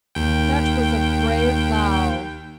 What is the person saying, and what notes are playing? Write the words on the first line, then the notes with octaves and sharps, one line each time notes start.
"That was a brave vow."
D#2 G5